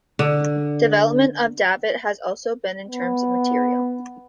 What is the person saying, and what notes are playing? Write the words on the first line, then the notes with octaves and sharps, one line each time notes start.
Development of the davit has also been in terms of material.
D3
B3